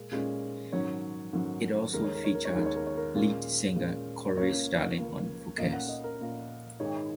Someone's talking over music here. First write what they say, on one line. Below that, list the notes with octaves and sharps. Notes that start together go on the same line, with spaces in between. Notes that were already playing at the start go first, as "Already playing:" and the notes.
It also featured lead singer Corey Sterling on vocals.
Already playing: A#2 G#3
A#2 G#3 C#4
G#2 D#3 F#3 C#4 C#5
G#2 D#3 F#3 C#4
D#2 D#3 G#3 A#4
C#5
A#4
C#5
A#4
C#5
D#2 D#3 G#3 A#4
C#5
A#4
C#5
A#4
A#2 G#3 C#4 A#4
A#2 G#3 C#4
C#2 C#3 A#3 C#5
C#2 C#3 A#3
A#2 A#3 C#4 D#5
F#5
D#5
A#4
A#2 A#3 C#4
G#2 D#3 G#3 D#4 C#5